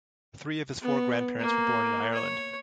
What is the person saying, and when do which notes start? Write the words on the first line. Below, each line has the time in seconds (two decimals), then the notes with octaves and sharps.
Three of his four grandparents were born in Ireland.
0.82 B3
1.40 A#3
2.13 C#5